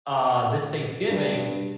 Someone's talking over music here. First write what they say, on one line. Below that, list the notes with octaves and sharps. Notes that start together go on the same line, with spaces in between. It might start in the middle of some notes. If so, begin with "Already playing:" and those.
r uh, this Thanksgiving,
G2